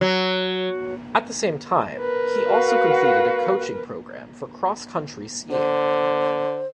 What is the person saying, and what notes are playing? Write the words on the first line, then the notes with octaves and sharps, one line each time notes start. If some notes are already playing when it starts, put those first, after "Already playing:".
At the same time, he also completed a coaching program for cross-country skiing.
F#3
A#4 B4
F#4 F5
D3 C5